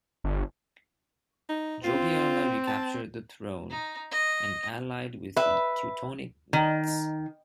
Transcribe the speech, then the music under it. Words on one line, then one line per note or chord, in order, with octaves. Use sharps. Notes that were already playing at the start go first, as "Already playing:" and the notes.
Jogaila recaptured the throne and allied with the Teutonic Knights.
G1
D#4
C4 F4
A5
D#4
D#5
B4 E5
D#3